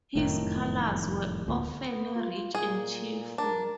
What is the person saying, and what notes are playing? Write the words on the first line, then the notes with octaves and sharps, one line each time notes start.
His colors were often rich and cheerful.
F1 F#2 A2 D#3
D1 D2 A#2
B3
F4
A#2 G#4
D4 A#4